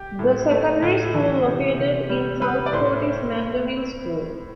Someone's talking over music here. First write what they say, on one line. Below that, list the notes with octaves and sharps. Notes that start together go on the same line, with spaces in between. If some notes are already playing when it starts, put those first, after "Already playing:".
The secondary school located in Southcourt is Mandeville School.
Already playing: G4
A2
A3
A2
E3
C3
C3
G3
G3 B4
D5
A2 C5